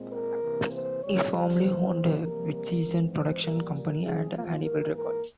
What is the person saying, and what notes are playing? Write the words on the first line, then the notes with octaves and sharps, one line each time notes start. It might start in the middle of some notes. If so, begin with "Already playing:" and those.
He formerly owned Witchseason production company and Hannibal Records.
Already playing: A#2 G#3 C4
A#4
C3 E3 A#3
C5
F2 C#3 G3 C4 C#5
C5
F2 E3 A#3
C3 G3 A#3 A#4
A#4
G#2 E3 G#3 C4
C5
A#2 G3 A#3 A#4
A#4
E2 C3 G3 C4 G#4
F4
G#2 E3 A#3 A#4
A#4